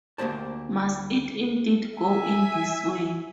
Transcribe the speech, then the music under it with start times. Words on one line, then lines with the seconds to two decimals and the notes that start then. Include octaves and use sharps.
Must it indeed go in this way?
0.18 D2 A#3 G4 C5 A5
1.97 E5 G#5